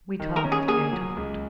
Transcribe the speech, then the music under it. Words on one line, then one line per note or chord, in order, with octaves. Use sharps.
We talked and talked.
D#3
A#4
C#4
G#4
A#3 G#4
F#3
C#2